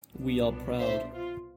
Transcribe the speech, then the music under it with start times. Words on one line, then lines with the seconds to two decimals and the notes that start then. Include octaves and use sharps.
We are proud.
0.11 C2 B2 B3 D4
0.79 C5 E5
1.13 F4